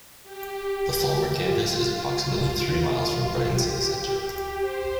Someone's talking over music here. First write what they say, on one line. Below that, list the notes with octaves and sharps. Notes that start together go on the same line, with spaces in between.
The Falmer campus is approximately three miles from Brighton city centre.
G4
F4
F4
G4
C5